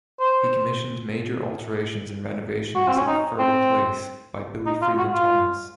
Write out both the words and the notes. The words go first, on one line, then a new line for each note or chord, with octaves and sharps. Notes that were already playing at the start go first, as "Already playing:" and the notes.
He commissioned major alterations and renovations of Firle Place by Billy Freeman Thomas.
C5
F#4
C4
C#4
D#4
C4
D#4
F4
F#4
F4